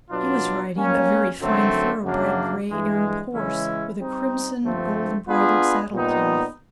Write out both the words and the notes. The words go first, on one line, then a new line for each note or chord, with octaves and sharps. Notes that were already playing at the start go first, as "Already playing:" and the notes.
He was riding a very fine thoroughbred gray Arab horse with a crimson gold-embroidered saddlecloth.
B2 F#3 B3 D4 F4
G3 A#3 C#4
F#2 D3 F#3 A3 C4
F#2 C#3 F#3 A#3 D4
G2 E3 G#3
C#3 E3 G#3 C#4 E4
G3 C4 D#4
G2 D3 F3 A3 C4
B3 D4 F4 G#4 B4
A#2 G3 B3 D#4